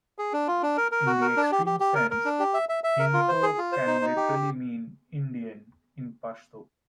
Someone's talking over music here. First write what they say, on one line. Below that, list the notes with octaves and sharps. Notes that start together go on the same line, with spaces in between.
In the extreme sense, Hindko can literally mean "Indian" in Pashto.
G#4
D4
F4
D4
A#4
A#4
F#4
A#4
D4
G4
G4
G4
A#4
A#4
D4
G4
E5
E5
E5
A#4
F4
C5
G#4
F4
C5
D#4
D#4
G4